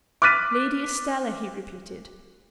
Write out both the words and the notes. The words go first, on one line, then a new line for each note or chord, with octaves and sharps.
"Lady Estelle," he repeated.
D6 F6 F#6 A6 B6 D#7